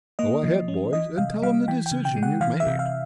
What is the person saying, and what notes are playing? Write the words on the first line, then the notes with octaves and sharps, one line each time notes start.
"Go ahead, boys, an' tell him the decision you've made."
A#3 D#5
F3
C#4
E3 D#5
C3 F5
G3 F5
E3 G5
G5
C#3
G5
G#3
F#5
E3 F5
E5
C3
F5